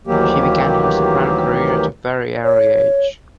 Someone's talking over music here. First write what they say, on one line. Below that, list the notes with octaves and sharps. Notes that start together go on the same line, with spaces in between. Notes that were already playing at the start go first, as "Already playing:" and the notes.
She began her soprano career at a very early age.
D2 D#3 E3 F#3 A#3 G4
C#5